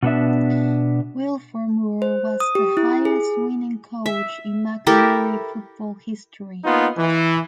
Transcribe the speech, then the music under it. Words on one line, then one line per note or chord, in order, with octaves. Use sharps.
Wilford Moore was the highest winning coach in McMurry football history.
B2 B3 D4 E5
C5
D#6
G4
E4
G#4
E5
E4 G4 A4 A#4
A#3 B3 D#4 F4
E3